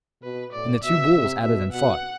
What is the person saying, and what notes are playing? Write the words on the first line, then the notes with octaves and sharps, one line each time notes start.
And the two bulls at it and fought.
B2 B4
A2 D5
B2 E5
C3
B2 E5
B2 F#5